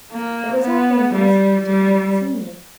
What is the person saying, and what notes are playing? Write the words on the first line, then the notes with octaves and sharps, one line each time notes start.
"It was awfully nice of you to come and see me."
A#3
B3
G3
G3